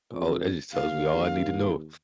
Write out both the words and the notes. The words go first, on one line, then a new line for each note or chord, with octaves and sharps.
Oh, that just tells me all I need to know.
F2
D#2 F5